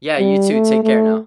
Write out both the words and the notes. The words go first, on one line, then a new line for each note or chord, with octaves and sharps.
Yeah, you too, take care now.
G3
A3
A3